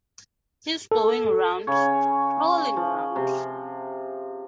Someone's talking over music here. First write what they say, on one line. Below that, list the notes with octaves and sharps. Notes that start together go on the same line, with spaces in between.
He's going round — prowling round.
A4
C#3 C#5
F3
C3